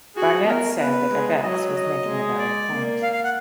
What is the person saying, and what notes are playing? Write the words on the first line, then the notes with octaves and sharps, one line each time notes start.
Barnett said that Abetz was making a valid point.
F#4 G#4
B3 A#4
B3 B4
G#3
F#3 D#5
D#5
G#3
D5
A#3
F5
F5
F#5